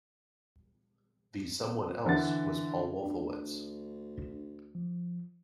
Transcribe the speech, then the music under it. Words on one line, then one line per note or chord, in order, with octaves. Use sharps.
The someone else was Paul Wolfowitz.
D3 E3 F#5 A6
D2 D4
F3